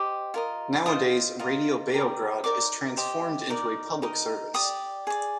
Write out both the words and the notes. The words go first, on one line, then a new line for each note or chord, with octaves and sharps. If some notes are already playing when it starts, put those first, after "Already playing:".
Nowadays, Radio Beograd is transformed into a public service.
Already playing: G4 C5 D#5 D6
F4 A#4 D#5
F4 C5 D#5 D#6
F4 A#4 D#5
G4 A#4 D5
D#4 A#4 D5 D6
G4 C5 D#5
D#4 A#4 D5
D#4 A#4 D#5
G4 D5 D#6
G#4 D5